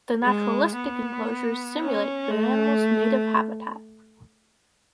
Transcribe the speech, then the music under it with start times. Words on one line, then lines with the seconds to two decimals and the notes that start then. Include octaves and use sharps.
The naturalistic enclosures simulate the animals' native habitat.
0.24 G#3
0.76 B3
1.80 C#4
2.31 A3